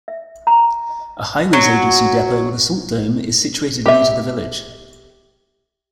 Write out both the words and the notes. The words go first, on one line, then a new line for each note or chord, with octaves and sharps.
A Highways Agency depot with a salt dome is situated near to the village.
E5
A#5
F#3
G4 E5